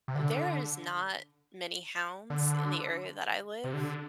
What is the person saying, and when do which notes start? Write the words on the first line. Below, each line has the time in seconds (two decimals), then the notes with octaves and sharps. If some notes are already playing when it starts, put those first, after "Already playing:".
there is not many hounds in the area that I live.
0.08 C3
0.15 D3
2.30 D3
3.64 C3
3.74 D3